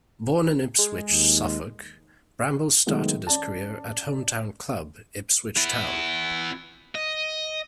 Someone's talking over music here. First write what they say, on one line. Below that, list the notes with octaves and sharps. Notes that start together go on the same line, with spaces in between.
Born in Ipswich, Suffolk, Bramble started his career at home town club Ipswich Town.
G#3
D#2
D#3 F#3 G#3 A3 B3
C#4 D5 A5
B3 E4
D#5